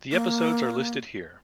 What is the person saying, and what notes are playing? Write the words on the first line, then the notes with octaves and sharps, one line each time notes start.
The episodes are listed here.
A#3